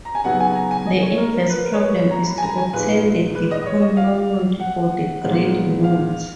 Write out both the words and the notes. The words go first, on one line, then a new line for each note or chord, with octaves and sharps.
The inverse problem is to obtain the dipole moments for the grid nodes.
A#5
G#5
C#3 F#3 B3 D#4 F#5
G#5
A#5
G#5
D#5
C#5
A#4
A#4
B4
A#4
C#5
B4
C#5
A#5
B5
G#5
A#5
G#5
A#2 G#3 D#4 B4
B4
D#5
D#5
C#5
D#5
F5
F#5
A#2 G#3 B3 D#4
F5